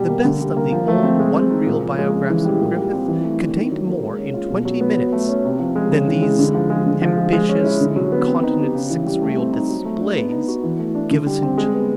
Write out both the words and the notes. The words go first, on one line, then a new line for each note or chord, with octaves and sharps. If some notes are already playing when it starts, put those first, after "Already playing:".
The best of the old one-reel Biographs of Griffith contained more in twenty minutes than these ambitious incontinent six-reel displays give us in two hours.
Already playing: B2 G3
A#3
D3
G3
A#3
F3
A3
C4
G#3
C4
D#4
A#2
F3
G#3
C#3
E3
G3
A#2
G3
C4
E3
A3
D4
D#3
F#3
A#3
G#3
C#4
F4
B2
F#3
B3
F#3
A3
C#4
C3
F3
G#3
C#3
E3
G#3
D3
F3
G#3
D3
F3
G#3
G#3
C#4
E4
D3
F#3
B3
C4
D#4
G4
C#3
E3
G3
A3
C4
D#4
F#3
A3
D4
B3
D#4
F#4
E3
A3
D4
D3
G3
C4
G#3
B3